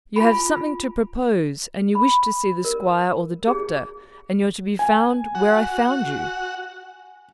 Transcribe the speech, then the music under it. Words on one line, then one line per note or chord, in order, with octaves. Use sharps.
You have something to propose, and you wish to see the squire or the doctor, and you're to be found where I found you.
F4 G#5 B5
B5
A#4
G#4
G#5
F#4 F#5